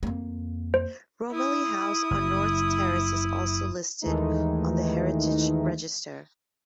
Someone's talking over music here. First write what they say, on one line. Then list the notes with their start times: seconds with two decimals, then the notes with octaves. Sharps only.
Romilly House on North Terrace is also listed on the Heritage Register.
0.03 F2 A#3
0.74 C5
1.31 E4 D#6
2.11 F#1
4.02 D#2 D#3 E3 G#3 A3 D#4